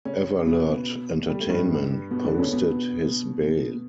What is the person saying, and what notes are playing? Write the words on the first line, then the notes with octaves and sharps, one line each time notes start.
Everlert Entertainment posted his bail.
C#3 C#4
B2 B3
G3
A3
G2 G3
B2 B3
D3 D4
C#3 C#4
B2 B3